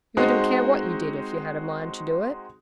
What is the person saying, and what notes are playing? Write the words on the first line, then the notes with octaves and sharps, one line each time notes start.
'You wouldn't care what you did if you had a mind to do it.'
G#3 C4 D#4 F#4 C5